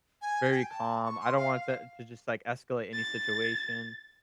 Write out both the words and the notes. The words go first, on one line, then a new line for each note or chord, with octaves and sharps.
very calm, I don't want that to just, like, escalate any situation.
G#5
G5
A5
C#6
C6
F5
F5
A6